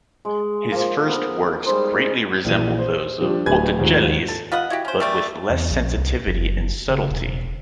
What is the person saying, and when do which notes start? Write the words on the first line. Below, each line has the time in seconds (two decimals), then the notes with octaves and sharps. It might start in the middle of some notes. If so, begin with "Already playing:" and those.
His first works greatly resemble those of Botticelli's, but with less sensitivity and subtlety.
0.25 G#3
0.72 F3 A#3
1.09 B3 A#4
1.66 G3 G#3 D#4 C5
2.44 A#1 E3 D#7
2.78 C5
3.20 F3 G3 D4
3.46 D1 G4 B4 G#5 G#6
3.78 D#2 G#2 F3
4.28 A4
4.52 F4 B4 D#5 F#5
4.70 E4 F#4 G4
4.85 C#4 C5
5.00 G3 A3 D5
5.50 E2
5.71 A#1
5.97 C2
6.27 F#1
6.90 C#3
7.11 E1